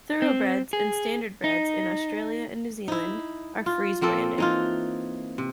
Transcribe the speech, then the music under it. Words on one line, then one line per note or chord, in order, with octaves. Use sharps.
Thoroughbreds and Standardbreds in Australia and New Zealand are freeze branded.
C4
G#4
D#4
D#4 E4
F4
F3 A#3 C4 A4
E3 D#4 F4
C3